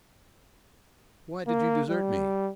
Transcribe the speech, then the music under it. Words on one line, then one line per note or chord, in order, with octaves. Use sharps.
Why did you desert me?
A#3
G3